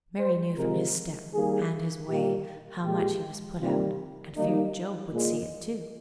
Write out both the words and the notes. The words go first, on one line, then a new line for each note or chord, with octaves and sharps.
Mary knew from his step, and his way, how much he was put out, and feared Job would see it, too.
C5
C3 F3 G#3 A#4
D#3 G3 A#3 G#4
A#2 G3 A#3 G4
A#2 G#3 G4
C3 D#3 G3 A#3 F4
D#3 G3 A#3 D#4
A#2 G#3